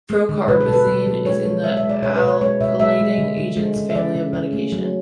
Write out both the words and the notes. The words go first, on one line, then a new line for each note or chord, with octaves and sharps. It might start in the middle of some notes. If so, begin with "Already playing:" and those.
Procarbazine is in the alkylating agents family of medication.
G#3
D3
B2 B4
A4
B2 B4
B2
F#3
G#3 C#5
G#3
G#3 E5
E5
G#3
D5
B2 C#5
B4
B2
C#5
G#3 C#5
B2 E5
G#3 E5
G#3
D3
D3
G#3
C#3
E5
C#3 D5
C#3
C#3
A3
F#3